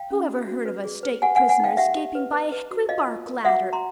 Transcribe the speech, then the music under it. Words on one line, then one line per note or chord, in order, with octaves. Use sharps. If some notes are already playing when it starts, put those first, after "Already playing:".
Who ever heard of a state prisoner escaping by a hickry-bark ladder?
Already playing: F5 G5
C#4
F#4
F#4
B4
G#4
B4
G4 F#5 G#5
B4 F#5 G#5
F#5 G#5
D#4 F5 G5
G4 E5 F#5
G4
B4
B4
B4
F#4
F4 D#5 F5
F4
A#4
F#4 E5 F#5
F#4
A#5 C6